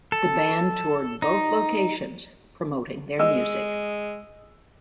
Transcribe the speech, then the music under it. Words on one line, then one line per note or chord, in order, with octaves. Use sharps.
The band toured both locations promoting their music.
A4
D#4
G#3 D#5 E6